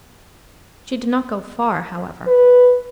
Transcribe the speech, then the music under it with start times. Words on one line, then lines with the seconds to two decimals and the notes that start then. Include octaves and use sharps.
She did not go far, however.
2.27 B4